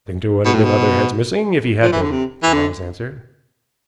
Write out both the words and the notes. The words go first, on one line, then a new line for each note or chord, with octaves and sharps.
"I think there would have been other heads missing if he had been," Quarles answered.
B2
A2
B2
F3
E3
D3
C3
E3
D3